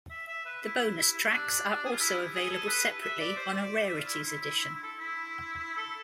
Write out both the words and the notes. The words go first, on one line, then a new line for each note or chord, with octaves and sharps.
The bonus tracks are also available separately on a "Rarities Edition".
E5
E5
B4
E4
E4
E4
E4
D4
G#4
F4
E4
G#4
A4
B4
E5
D5
C5
D5
E5
F4
E4
E4
E4
E4
E4
A4
E4
A4